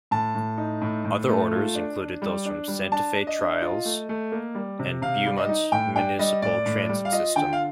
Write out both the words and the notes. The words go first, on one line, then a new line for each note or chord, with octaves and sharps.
Other orders included those from Santa Fe Trails and Beaumont Municipal Transit System.
A2 A5
A2
D#4
A2
A2
A3
F4
D4
D4
G3
D4
G3
D4 A5
D4
D#5
D4
F4
A3
A3
A#3
G3
C3
C3 F5
G3
D#5
D#4
A2 G5
D4 G5
G3 D#5
A2 D5
A2
G3
F5
F4 D#5
D3 G5
F5